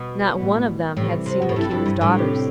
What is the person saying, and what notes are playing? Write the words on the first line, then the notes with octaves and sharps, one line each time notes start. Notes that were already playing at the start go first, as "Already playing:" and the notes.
Not one of them had seen the King's daughters.
Already playing: B2
A2 E3 G3 B3
A2 C3 E3 G3
C3
B2
A2
G2 C3 F3 C4 E4 A4
G2
G2
A2
C3 G3 C4 G4